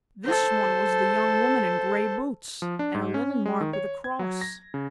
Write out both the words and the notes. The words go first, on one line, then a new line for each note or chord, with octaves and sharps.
'This one was the young woman in grey boots, and her linen marked with a cross.
A4 C5
F3
D4
G#2
C#4
G#3
D#3
C#5
G#6
F#3
A#6
C#3